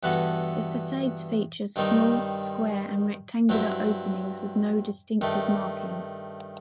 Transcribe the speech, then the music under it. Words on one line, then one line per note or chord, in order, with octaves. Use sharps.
The façades feature small square and rectangular openings, with no distinctive markings.
G2 E3 B3 F#4 A4
G2 D#3 G3 C4 D#4
G2 F#3 C4 E4
G2 D#3 A3